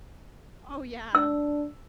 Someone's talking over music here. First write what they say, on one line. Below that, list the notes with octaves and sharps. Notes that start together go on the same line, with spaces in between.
Oh yeah,
D4 E6